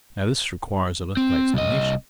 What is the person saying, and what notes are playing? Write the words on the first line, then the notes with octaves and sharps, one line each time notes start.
Now this requires a little explanation.
C4
C2 D#5